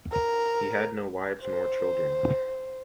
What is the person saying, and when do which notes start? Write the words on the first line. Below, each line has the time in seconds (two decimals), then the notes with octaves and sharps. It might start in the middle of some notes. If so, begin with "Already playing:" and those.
He had no wives nor children.
0.12 A#4
1.42 C5